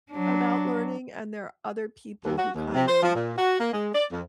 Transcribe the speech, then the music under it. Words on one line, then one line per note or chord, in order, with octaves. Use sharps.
about learning, and there are other people who kind of
F#3 D4
D#2
F#4
D#2
C3
C5
F3
A#2
F#4
A#3
G#3
D5
F2